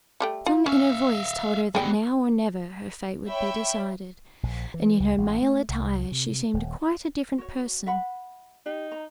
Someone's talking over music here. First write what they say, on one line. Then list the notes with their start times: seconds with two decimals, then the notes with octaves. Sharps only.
Some inner voice told her that now or never her fate would be decided, and in her male attire she seemed quite a different person.
0.20 G3 A3 G5
0.46 F4
0.66 C#4 E5 F5
1.75 G3 B3 G#4 G5
3.27 C#5 E5 G5 B5
4.43 A#1
4.74 E3
5.00 C#2
5.18 A1
5.42 A3
5.69 C2
5.81 C2
6.12 C3
6.54 D#1
7.38 F#4 C#5
7.86 E5 F#5 B5
8.66 D#4 G4
8.92 A#5